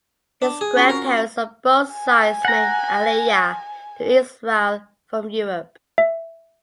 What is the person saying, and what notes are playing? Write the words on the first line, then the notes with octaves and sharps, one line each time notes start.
His grandparents on both sides made Aliyah to Israel from Europe.
D4
G#4
C#4 F4 F#4
A#4
G#5
F#5 A#5
E5